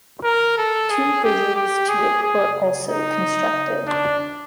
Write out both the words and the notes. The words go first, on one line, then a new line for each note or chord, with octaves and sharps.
Two bridges to it were also constructed.
A#4
A4
G#4
G4
G4
G#4
G#4
D#4
D4